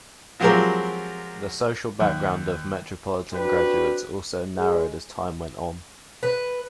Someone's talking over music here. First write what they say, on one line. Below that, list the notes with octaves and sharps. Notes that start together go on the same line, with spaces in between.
The social background of metropolitan graduates also narrowed as time went on.
F3 F#3 G#3 C4 G4 A#4
D#2
C4 D4 F#4 G4 B4
G#3
B4